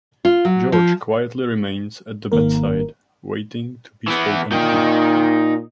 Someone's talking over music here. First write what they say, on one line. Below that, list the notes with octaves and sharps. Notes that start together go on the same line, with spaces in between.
George quietly remains at the bedside, waiting to be spoken to.
F4
F#3
F3
G#1 D#3 A#3 A#4
E3 B3
A#2 D#4 G5